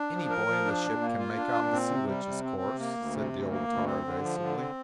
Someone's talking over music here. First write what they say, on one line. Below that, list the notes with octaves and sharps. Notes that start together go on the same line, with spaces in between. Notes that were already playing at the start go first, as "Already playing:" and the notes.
"Any boy in the ship can make out the 'Sea Witch's' course," said the old tar, evasively.
Already playing: D4
F3
A#4
F3
D4
A#2
A#3
F4
D4
A#2
C4
C3
G3
C3
C4
C3
A#3
D2
C3
D2
A#3
D2
C4
D3
F3
D3
C4